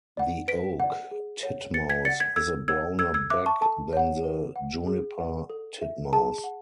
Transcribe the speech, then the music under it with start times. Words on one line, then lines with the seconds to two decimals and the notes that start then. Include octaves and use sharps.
The oak titmouse has a browner back than the juniper titmouse.
0.17 D5 F#5
0.48 B4 B6 D7
0.80 D5 F#5
1.11 G#4
1.43 C#5 F#5
1.74 B4 A6 C#7
1.90 G#6 B6
2.05 D5 F#5 A6 C#7
2.20 G#6 B6
2.36 A4 E6 G#6
2.68 C#5 F#5 E6 G#6
2.99 A4 E6 G#6
3.14 E6 G#6
3.30 E5 D6 F#6
3.46 A5 C#6
3.61 A4 A5
3.93 C#5 F#5
4.24 B4
4.56 F#5
4.87 G#4
5.18 D5 F#5
5.50 A4
5.81 E5
6.13 G#4 A5
6.44 F#5